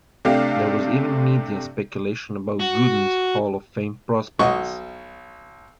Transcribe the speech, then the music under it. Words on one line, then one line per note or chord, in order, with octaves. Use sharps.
There was even media speculation about Gooden's Hall of Fame prospects.
C3 A3 D4 G4 F5
F#4
B1 F#4 D#5 C#6